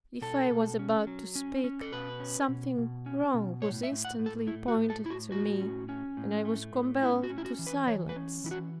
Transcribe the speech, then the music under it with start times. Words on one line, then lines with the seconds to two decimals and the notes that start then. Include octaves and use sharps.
If I was about to speak, something wrong was instantly pointed to me, and I was compelled to silence.
0.22 B2 A4
0.50 B2
0.79 C#4
1.07 F#3
1.35 C#4
1.64 C#4
1.82 A4
1.92 B2 B4
2.20 C#4
2.48 B2
2.78 B2
3.06 C#4
3.34 B2
3.62 A2 C#5
3.83 E5
3.91 A2
4.05 F#5
4.19 A2
4.26 A4
4.47 A3 E4
4.68 F#4
4.76 A2
4.90 A4
5.04 A2 E4
5.10 F#4
5.32 A2 F#4
5.60 C#4
5.89 C#4
6.17 A2
6.45 A3
6.74 A2
7.02 C#4 E4
7.24 F#4
7.30 C#4
7.38 E4
7.45 F#4
7.59 E3
7.67 B4
7.87 E3 C#5
8.09 B4
8.16 C#4
8.44 E3 E4
8.51 F#4